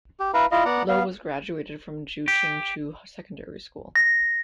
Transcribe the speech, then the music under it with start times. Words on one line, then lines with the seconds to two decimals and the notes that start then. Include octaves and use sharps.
Lo was graduated from Ju Ching Chu Secondary School.
0.20 G4
0.34 E4 B4 F5 A#5
0.51 E4 F4 D#5 F5
0.65 B3 D5 F#5 A#5
0.89 B3 F5
2.28 G4
3.96 A#6